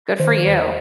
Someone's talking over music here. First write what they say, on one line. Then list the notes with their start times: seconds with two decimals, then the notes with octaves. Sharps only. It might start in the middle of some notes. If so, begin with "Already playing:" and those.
Good for you.
0.20 D#3 C5
0.47 E2